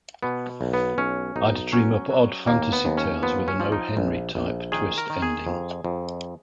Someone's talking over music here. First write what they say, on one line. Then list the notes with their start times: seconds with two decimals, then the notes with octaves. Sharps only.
I'd dream up odd fantasy tales with an O. Henry type twist ending.
0.23 B2 B3
0.61 B1
0.73 B3
0.98 B1 C#4
1.36 B1 D#4
1.72 F#3 C#4
2.10 F#3
2.47 D#2 A#3
2.72 B3
2.85 D#2
2.97 C#4
3.22 F3 B3
3.48 C#4
3.60 F3
3.72 D#4
3.97 A#1
4.35 A#1
4.72 D#3 G#4
4.98 A#4
5.10 D#3
5.22 G#4
5.47 F2
5.85 F2